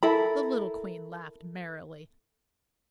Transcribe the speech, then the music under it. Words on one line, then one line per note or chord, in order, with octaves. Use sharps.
The little Queen laughed merrily.
E4 A4 A#4 B5